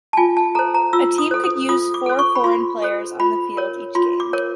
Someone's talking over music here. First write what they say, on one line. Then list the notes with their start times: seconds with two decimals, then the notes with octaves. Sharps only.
A team could use four foreign players on the field each game.
0.13 A5
0.17 F4 G#5
0.37 A5
0.55 A4 C5 A#5
0.74 A#5
0.93 F4 E6
1.18 D#6
1.31 A4 C5
1.44 D#6
1.69 F4 D#6
1.94 D6
2.06 A4 C5
2.19 C#6
2.35 B5
2.44 F4 C6
2.82 A4 C5
3.20 F4 B5
3.57 A#4 C#5
3.95 F4 C6
4.20 D6
4.33 A#4 C#5